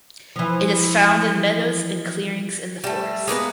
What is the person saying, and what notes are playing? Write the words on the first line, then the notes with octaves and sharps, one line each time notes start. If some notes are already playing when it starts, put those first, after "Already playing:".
It is found in meadows and clearings in the forest.
E3 F3
G3 A3
G#3 A#3 B3 B4